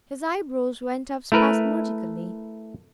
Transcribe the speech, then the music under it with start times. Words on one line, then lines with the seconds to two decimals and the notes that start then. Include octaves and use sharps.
His eyebrows went up spasmodically.
1.32 A3 E4 A#4 B4